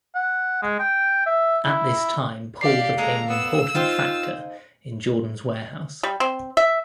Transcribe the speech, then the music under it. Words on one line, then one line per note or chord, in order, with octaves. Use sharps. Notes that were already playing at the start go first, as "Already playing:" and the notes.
At this time Paul became an important factor in Jordan’s warehouse.
F#5
G#3
G5
E5
E4
G4 D5 F5 C7
G#3 A#3 A4 A#5
B3 E6
D#4 F4 C5 G5
G3
C4
E5